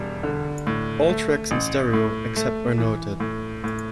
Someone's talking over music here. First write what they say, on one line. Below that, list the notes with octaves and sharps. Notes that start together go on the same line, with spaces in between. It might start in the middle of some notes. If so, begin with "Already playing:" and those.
All tracks in stereo, except where noted.
Already playing: E1 G3
D3
A2
A3
A1
A2
A3
E3
A2
A2